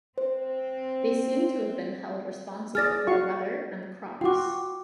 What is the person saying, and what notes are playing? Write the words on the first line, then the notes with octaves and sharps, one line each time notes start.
They seem to have been held responsible for the weather and the crops.
C4 C5
G#4 D5 F6 A6 A#6
F#4 F5 C#6
F4 F#4 G5 D6